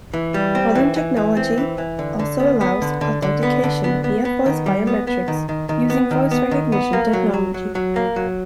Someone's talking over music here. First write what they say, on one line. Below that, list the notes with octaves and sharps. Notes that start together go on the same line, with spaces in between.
Modern technology also allows authentication via voice biometrics using voice recognition technology.
E3
G3
C4
E3
E3
E3
C4
E3
E3
D3
D3
B3
B3
D3
D3
D3
B3
D3
B3
B3
B3
D#3
G3
B3
B3
D#3
D#3
D#3
B3
D#3
B3
D#3
B3
A#3
F#3
F#3
F#3
F#3
A#3
F#3